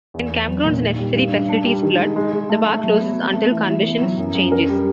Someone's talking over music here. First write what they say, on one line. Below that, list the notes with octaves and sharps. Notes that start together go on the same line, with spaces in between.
When campgrounds and necessary facilities flood, the park closes until conditions changes.
E2
E2
F#3
A#2
D#3
G3
G2
G2
D4
G3
D#3
G#3
G#3
G#3
A3
A3
F#3
B3
C4
A3
E3
E3
B3
F#3
F#2
F#2
A#4
G3